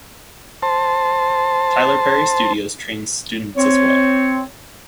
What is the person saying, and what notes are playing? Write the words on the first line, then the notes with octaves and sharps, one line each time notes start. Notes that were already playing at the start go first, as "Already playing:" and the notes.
Tyler Perry Studios trains students as well.
C5 A5
C4 C#5